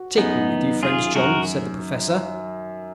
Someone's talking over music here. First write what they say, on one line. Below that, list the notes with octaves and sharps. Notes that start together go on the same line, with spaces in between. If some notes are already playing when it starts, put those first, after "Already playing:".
"Take me with you, friend John," said the Professor.
Already playing: F#4
F#2 B3 D#4
D#3
F#2 F4 G#4
F#2 F#4 A#4